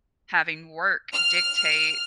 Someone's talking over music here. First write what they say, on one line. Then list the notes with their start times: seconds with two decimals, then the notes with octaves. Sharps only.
having work dictate
1.14 F6